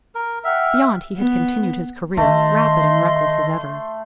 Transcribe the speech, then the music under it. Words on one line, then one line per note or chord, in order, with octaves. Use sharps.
Beyond he had continued his career; rapid and reckless as ever.
A#4
E5 F#5 G5 F6
B3
D#3 A3 D#5 C6